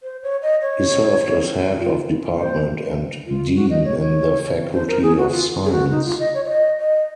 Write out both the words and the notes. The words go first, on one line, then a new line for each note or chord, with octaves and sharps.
He served as Head of Department and Dean in the Faculty of Science.
C5
C#5
D#5
C#5
F4
C5
F4
F#4
D#5
C#5
C#5
C5
A#4
G#4
F#4
F4
G#4
F#4
D#4
F4
D#5
C#5
C#5
D#5
D#5